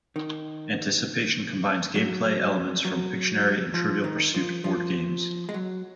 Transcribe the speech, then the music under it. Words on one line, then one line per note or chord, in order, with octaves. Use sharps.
"Anticipation" combines gameplay elements from "Pictionary" and "Trivial Pursuit" board games.
D#3
F#3
F#3
F3
D#3
F3
F3
G#3
F#3